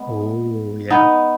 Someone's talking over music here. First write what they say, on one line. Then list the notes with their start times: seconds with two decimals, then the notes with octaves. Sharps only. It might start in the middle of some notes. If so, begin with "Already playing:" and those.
Ooh, yeah.
Already playing: G#3 B3
0.90 B3 D#4